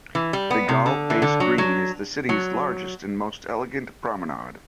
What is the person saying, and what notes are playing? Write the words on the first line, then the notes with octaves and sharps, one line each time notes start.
The Galle Face Green is the city's largest and most elegant promenade.
E3
G3
B3
C3
D3
E3
D3
F#3
F#3
F#3